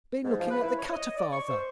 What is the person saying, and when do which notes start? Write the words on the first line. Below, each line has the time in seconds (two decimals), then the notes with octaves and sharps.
"Been looking at the cutter, father?"
0.24 G#2
0.39 F3
0.51 B4
0.62 E4
0.78 C#5
0.93 D#5
1.17 D5
1.32 C#6
1.49 C5